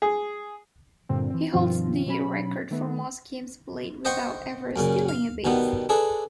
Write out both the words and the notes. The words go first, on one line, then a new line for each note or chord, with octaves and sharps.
He holds the record for most games played without ever stealing a base.
G#4
G2 A#2 D3 C4
E3 C4
G2 B2 D#3 F3 C4 F4
B2 F#3 C#4 B5
D#3 A3 B3
C5 D#5 F#5 G5 C6 C#6
F#2 A#2 C#3
F5
B2 D#3 G3 B3
D4 G#4 A4 B4